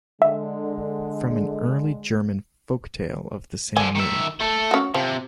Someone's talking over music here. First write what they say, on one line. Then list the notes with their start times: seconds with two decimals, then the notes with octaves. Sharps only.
From an early German folk tale of the same name.
0.22 D3 G#3 E5
3.77 D3 F3 G#5
3.95 D#3 E5
4.40 A3 A4
4.71 C#4 F#4
4.94 C3 F3